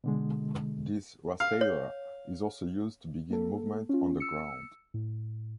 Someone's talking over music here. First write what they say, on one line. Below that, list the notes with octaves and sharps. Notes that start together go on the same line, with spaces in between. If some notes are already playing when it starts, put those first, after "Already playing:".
This rasteira is also used to begin movement on the ground.
B2 D3 G#3
F5
C#5
A#3 A4
C#4 F4
E6 C#7
A2